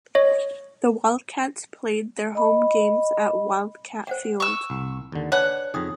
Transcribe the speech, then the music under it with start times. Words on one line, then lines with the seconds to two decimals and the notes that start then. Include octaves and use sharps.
The Wildcats played their home games at Wildcat Field.
0.15 C#5 D#5
2.35 D#5 B5
4.07 C5 F#5 G5
4.40 C#6 E6
4.70 C2
5.12 D#2 D3
5.32 D4 B4 C#5 F#5 G#5
5.74 F2 D#4 G#4 G5 D#6